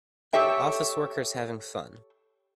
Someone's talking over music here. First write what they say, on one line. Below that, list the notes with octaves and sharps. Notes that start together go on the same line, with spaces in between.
Office workers having fun.
G4 A4 C#5 E5 G5